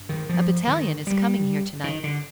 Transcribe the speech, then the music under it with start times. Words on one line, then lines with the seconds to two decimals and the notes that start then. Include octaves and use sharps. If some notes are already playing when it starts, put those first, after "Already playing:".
"A battalion is coming here to-night."
Already playing: G2
0.09 D#3
0.29 F3
0.67 D#3
1.07 G3
1.84 D#3
2.04 D3